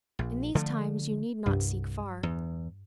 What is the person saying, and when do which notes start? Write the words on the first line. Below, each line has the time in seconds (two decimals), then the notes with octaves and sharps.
In these times you need not seek far.
0.19 A#1
0.55 D3 F3 A3
1.46 C2 G2
2.23 E2